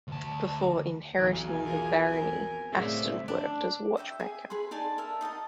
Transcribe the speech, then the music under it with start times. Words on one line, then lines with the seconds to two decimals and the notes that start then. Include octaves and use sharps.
Before inheriting the barony, Aston worked as a watchmaker.
0.08 D2 A5
1.19 B1 E2 G#5 D#6 D7
1.63 F4 G#4 A#4
2.01 B3 C4 A#4
2.73 A2 C#3 C4 E4 G#4 C5 D5 E5
3.28 D4
3.97 D#5 E5 G5 D6
4.20 G#4 E5 G#5
4.50 G#4 B4 B5 C6
4.71 D#4 D5 G#5 A5
4.98 A#4 E5 A5
5.21 D#4 D#5 F#5 A5